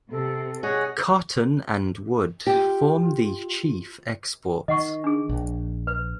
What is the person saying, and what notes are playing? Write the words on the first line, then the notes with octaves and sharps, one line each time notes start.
Cotton and wood form the chief exports.
C3 A4
G#4 C#5 D#5 F#5
F4 G4
D#3 D#5 F#5 C#6
D4 G#4
A#1
B4